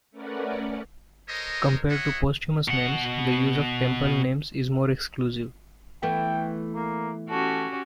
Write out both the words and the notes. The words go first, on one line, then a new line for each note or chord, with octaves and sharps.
Compared to posthumous names, the use of temple names is more exclusive.
A3 C#4 A#4 B4 D5 F#5
A4 A#4 C5 C#5 D#5
E4 G#4 C#5 D#5 E5 F#5
B2 F#5
E3 A3 B3 G5
A#3
C#4 F#4 G4 A4